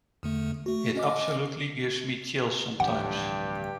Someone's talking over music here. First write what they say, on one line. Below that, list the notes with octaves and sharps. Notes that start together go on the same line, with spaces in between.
It absolutely gives me chills sometimes.
E2 D3 A3
A3 F#4
C#4 D#5 D6
D1 G2 E3 F3 G4 F#5